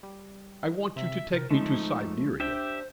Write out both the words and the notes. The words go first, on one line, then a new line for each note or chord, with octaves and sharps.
"I want you to take me to Siberia."
G3
C3 E5
C3 A#4
F3 G#3 A3 D#4
D4 G4 C5 E5 G5